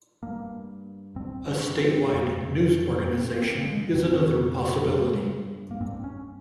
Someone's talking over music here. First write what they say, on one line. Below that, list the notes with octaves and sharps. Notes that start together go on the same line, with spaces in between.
A state wide news organization is another possibility.
G2 A#3
G2 C4
C#4
C4
F2 C3 A#3
G2 C4
A#3
C4
A#3
G#3
F2 C#3 C4
G2
A#3
G2 C4
C#4